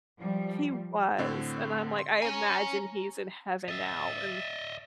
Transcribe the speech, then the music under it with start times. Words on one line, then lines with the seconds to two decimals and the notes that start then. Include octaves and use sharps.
He was, and, I'm, like I imagine he's in heaven now, and
0.19 F3 G3
1.18 A2 D3 C4
1.99 C6
2.22 C#5 G#5 A#5
3.68 D#5 E5 A6